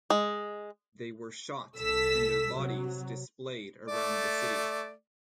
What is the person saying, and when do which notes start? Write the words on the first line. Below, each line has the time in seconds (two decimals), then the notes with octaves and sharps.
They were shot and their bodies displayed around the city.
0.10 G#3
1.78 C2 A4 E6 B6
2.53 C3 F#3
3.88 A3 D5